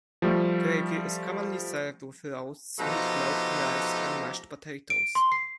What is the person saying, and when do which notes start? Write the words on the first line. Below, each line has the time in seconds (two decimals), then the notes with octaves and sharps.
Gravy is commonly served with roasts, meatloaf, rice, and mashed potatoes.
0.22 F3 G3 A3
2.79 B2 F3 A3 D#4 G4 A#5
4.90 D7
5.15 C6
5.32 C7